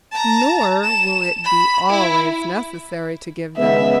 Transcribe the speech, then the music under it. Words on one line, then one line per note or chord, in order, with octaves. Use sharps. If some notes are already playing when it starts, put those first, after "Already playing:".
Nor will it be always necessary to give them.
A5 A#5
E7
B5
E4
C#3 G#3 B3 E5